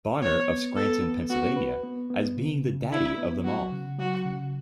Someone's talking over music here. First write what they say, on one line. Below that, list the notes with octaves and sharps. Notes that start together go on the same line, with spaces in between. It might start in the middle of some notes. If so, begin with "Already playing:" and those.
Bonnert of Scranton, Pennsylvania as being the daddy of them all.
B3 C#5
B3
B3 A4
B3
B3 F#4
B4
B3
B3
C#3
C#3
D4 E4
B3
F#3 F#4
C#3
F#3 F#4
C#3